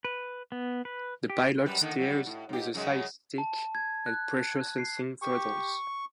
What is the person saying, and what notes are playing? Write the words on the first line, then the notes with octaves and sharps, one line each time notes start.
The pilot steers with a side-stick and pressure-sensing throttles.
B4
B3
B4
G4
F#2 G3 B4
D3 D#3 A#3
F#3 G3
A2
G#2 G4
F#2 C#3 G#3
A5
G#6
F#6
C7
G4 C#6